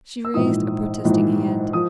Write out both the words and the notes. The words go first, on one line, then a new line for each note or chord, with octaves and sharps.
She raised a protesting hand.
E6
A#1 G#2 E3 D#6
A#1 G#2 E3
F3 D#6